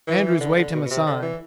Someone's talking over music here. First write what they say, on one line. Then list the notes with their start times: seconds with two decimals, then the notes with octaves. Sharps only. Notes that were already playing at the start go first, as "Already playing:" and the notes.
Andrews waved him aside.
0.07 E3
0.41 D3
0.57 D3
0.74 B2
0.85 B2
0.90 C3
1.06 D3
1.22 E3